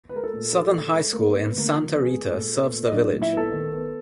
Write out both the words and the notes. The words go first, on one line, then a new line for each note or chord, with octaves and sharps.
Southern High School in Santa Rita serves the village.
B4
G#3 A#4
A4
A#2
A#4
F3 A4
A#2
G#3
A#3 B3 A#4
G#3 B3 B4
B3 B4
D3 A#3 A#4
F3
B3
G#4
G#3
A#2 A4
B3
A#2
D#5
F#3 D4 D5
A#2
E4 E5
B3
A4 A5
D#3
B3